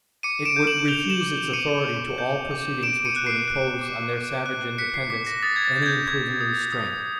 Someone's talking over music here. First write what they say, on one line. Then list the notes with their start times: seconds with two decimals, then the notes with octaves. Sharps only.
It would refuse its authority to all proceedings which would impose, on their savage independence, any improving restraint.
0.23 D6 C#7 D#7
0.45 D7 E7
0.56 G6
0.67 E7 F#7
0.88 G6 F7 G7
1.10 E7 F#7
1.21 D6
1.53 D6 C#7 D#7
1.86 G6
2.18 G6
2.51 D6
2.83 D6 D7 E7
3.05 C#7 D#7
3.16 F#6
3.26 C7 D7
3.48 F#6
3.81 D6
4.13 D6
4.46 F#6
4.78 F#6 B6 C#7
4.94 C7
5.10 D6 B6
5.27 A#6
5.43 D#6 A6
5.56 G#6
5.65 A6
5.76 G6
5.82 G#6
5.86 G6
6.08 G6 G#6
6.41 D#6
6.72 D#6